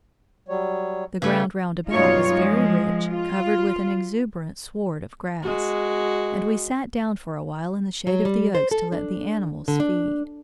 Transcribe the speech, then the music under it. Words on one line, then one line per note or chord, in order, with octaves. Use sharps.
The ground round about was very rich, covered with an exuberant sward of grass; and we sat down for a while in the shade of the oaks to let the animals feed.
F#3 G3 C#5
C#3 A3 B4
F#2 B2 G3 D#4 F4 C#5
F3 G#3
F4
G#3 F#4
F#3
G3
C5
A4
D4
D3
D4